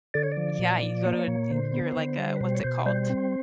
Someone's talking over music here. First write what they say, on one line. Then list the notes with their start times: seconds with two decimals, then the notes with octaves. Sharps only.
yeah, you go to a y you're, like, a what's it called?
0.14 D3 D5
0.23 C#5
0.32 D5
0.37 F3
0.59 A#2
0.82 F3
1.05 A#3 C#5
1.12 D5
1.19 C#5
1.28 A#2
1.51 D3 C5
1.73 B3
1.96 D3
2.18 G3
2.36 B4
2.41 B2 C5
2.55 C#5
2.64 B2 C5
2.86 G3 C5
3.10 C4